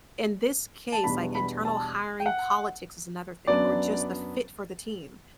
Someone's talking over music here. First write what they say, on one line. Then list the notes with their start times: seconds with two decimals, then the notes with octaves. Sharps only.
In this case, like internal hiring politics is another thing or just the fit for the team,
0.92 A5
1.04 E2 B2 G3 B3 D4 B5
1.35 B5
1.65 A5
2.20 G5
2.26 F#5
3.47 F#2 F#3 B3 D4 D5